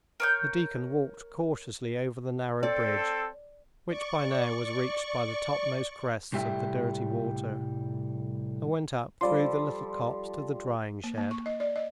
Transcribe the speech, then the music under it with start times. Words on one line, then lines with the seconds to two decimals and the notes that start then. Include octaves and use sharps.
The deacon walked cautiously over the narrow bridge, which by now was reached by the topmost crests of the dirty water, and went up through the little copse to the drying-shed.
0.20 A#4 C#5 G6
2.63 C4 A4 D5
3.88 D5 C#6
6.32 C2 A2 G3 G4 E5
9.21 F3 G3 A4 D5 C6
11.04 A#3
11.18 A#3
11.31 C#6
11.46 D#5
11.60 D5
11.76 D#5